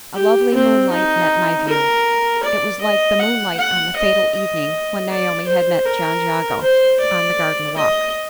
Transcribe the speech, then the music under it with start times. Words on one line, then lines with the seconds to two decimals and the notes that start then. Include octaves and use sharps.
A lovely moonlight met my view; it was like the moonlight on the fatal evening when Naomi had met John Jago on the garden walk.
0.15 G4
0.54 C4
0.91 D#4
1.68 A#4
2.44 D5
2.81 D#5
3.19 F#5
3.57 F#5
3.96 D#5
4.34 D#5
5.09 D5
5.48 C5
5.85 A#4
6.62 C5
7.00 D5
7.76 D#5